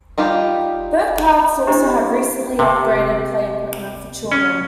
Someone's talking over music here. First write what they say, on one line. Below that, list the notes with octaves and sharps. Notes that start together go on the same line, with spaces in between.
Both parks also have recently upgraded play equipment for children.
G3 D#4 F4 G4
D4 E4 G4 C5 D#5 A#5
C3
C#4